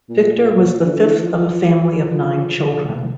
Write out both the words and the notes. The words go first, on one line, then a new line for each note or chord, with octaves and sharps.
Victor was the fifth of a family of nine children.
A#2
D3
E3
F3
F3